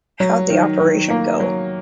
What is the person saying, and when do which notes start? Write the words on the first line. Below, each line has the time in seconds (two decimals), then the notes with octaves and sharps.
How'd the operation go?
0.20 F#3
0.50 D#3
0.80 D#3
1.10 A#3
1.40 F#3